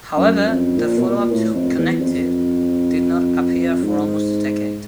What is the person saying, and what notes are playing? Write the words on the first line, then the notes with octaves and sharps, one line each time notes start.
However, the follow-up to "Connected" did not appear for almost a decade.
F#2
F2
A#2
B2
A#2
A2
F2
E2
F2
G#2